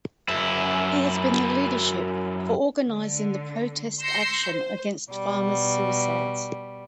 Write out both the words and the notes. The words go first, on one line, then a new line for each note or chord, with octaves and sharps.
He has been the leadership for organising the protest action against farmers suicides.
F#2 E4
D3
C6 E6 G6 A#6 C7 C#7
C5
B2 G3